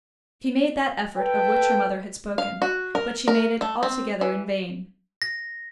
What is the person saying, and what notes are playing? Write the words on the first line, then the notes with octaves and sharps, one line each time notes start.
She made that effort of which her mother had spoken, but she made it altogether in vain.
A4 B4 G5
F5
F#4
A#4
A#4
A3
C4
E3
A#6